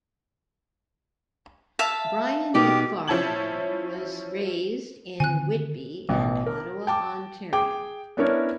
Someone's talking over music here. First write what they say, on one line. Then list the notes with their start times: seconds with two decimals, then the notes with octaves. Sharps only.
Brian McFarlane was raised in Whitby and Ottawa Ontario.
1.79 E5 F5 A5
2.54 B2 D#4 G4 A#4
3.08 F3 C#4 E4 A5 G#6 F#7
5.20 D3 D#3 C4 G#5 F#6
6.09 A1 B2
6.46 A#4
6.87 G5 A5 D6
7.52 G#4 G5 D6
8.17 B3 C#4 D4 E4 A#4 C#5